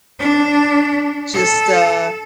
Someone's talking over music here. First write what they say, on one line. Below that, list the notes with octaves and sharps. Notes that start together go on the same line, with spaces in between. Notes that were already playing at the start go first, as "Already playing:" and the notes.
just, uh
D4
A4